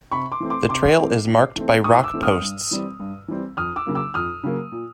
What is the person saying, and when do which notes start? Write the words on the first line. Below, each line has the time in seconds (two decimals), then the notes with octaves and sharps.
The trail is marked by rock posts.
0.12 C3 B5 C#6
0.32 C6 D6
0.40 E3 A3 C4
0.50 C6 D6
0.69 C3 C6 D6
0.98 E3 A3 C4
1.28 A2
1.56 E3 A3 C4
1.84 A2 C#6 D#6
2.04 D6 E6
2.13 E3 A3 C4
2.23 D#6 F6
2.42 G2
2.71 E3 G3 C4
3.00 G2
3.28 E3 G3 C4
3.57 F2 D#6 F6
3.76 D6 E6
3.87 C#3 F#3 A#3
3.95 D6 E6
4.14 F2 D#6 F6
4.44 C#3 F#3 A#3
4.72 A#2